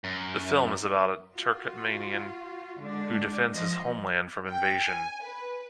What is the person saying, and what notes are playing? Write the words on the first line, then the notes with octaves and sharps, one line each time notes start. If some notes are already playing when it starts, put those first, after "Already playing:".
The film is about a Turkmenian who defends his homeland from invasion.
F#2
F4 F#4
D3 G#3 D4
F3 D#5
G5
G#5
B4